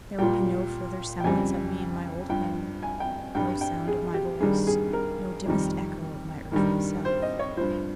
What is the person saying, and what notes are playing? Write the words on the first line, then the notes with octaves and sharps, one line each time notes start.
There will be no further semblance of me in my old home, no sound of my voice, no dimmest echo of my earthly self.
A#2 G3 G5
G5
F2 C#3 G3 G#5
G2 F3 G5
G#5
G5
G2 G3 G5
G5
G#4
G4
G2 D#3 G3 G#4
G#4
A#4
F2 D#3 G3
G2 D#3 G3
C5
D#5
C#5
G2 F3 C5